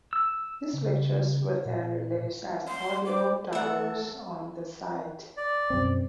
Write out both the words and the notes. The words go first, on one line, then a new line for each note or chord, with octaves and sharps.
These lectures were then released as audio downloads on the site.
E6
C#3
A#2
C6
C5 D6
A3 A4 E5 F#5
D5
F#2 B2 C4